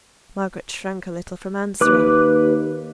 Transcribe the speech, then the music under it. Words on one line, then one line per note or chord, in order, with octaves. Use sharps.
Margaret shrank a little from answering.
D#2 B4 D6 F#6